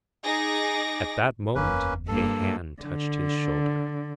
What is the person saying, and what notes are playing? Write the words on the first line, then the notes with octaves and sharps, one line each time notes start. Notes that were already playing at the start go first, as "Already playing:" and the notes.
At that moment a hand touched his shoulder.
D#4 G#4 D6 A#6
F#1 E2 A#3 C#4 B4
G2 A#3 A4
D3